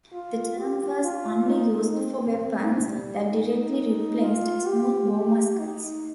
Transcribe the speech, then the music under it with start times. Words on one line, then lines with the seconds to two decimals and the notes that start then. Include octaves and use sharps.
The term was only used for weapons that directly replaced smoothbore muskets.
0.13 F4
0.59 G4
1.04 F4
1.49 D#4
1.95 C4
2.40 C4
2.86 G3
3.31 D#4
4.22 F4
4.67 G4
5.12 G4
5.59 D#4